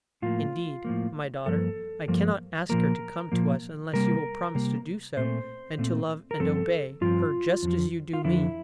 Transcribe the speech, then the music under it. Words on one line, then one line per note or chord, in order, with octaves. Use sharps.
Indeed, my daughter, I cannot ask her to come to us unless you will promise to do so, and to love and obey, her just as you do me.
A2 F3 A#3 F4
A2 F3 A#3
G2 F3 A#3 A4
G2 F3 A#3
A#2 F3 A#3 A#4
A#2 F3 A#3
C3 G3 A#3 A#4
C3 G3 A#3
A#2 A3 C4 C5
A#2 A3 C4
A#4
G2 F3 C4 A4
G2 F3 C4 F4
F2 D3
F3
F4
F2 D3 F3 E4